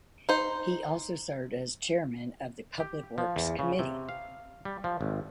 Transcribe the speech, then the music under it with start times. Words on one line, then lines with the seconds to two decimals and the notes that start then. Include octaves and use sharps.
He also served as chairman of the public works committee.
0.29 D#4 C5
2.80 G4
3.18 F3
3.36 E2
3.59 C#3
3.79 C3
4.09 F5
4.65 G3
4.84 F3
5.01 G#1